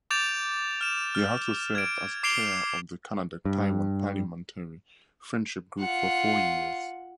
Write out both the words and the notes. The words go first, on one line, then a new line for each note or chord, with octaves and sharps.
He also served as chair of the Canada-Taiwan Parliamentary Friendship Group for four years.
D6 G6 A6 D7 F7
F6 E7
F6
G#6 D7
D6 C7 D7 F7 G7
G2
F4 F#5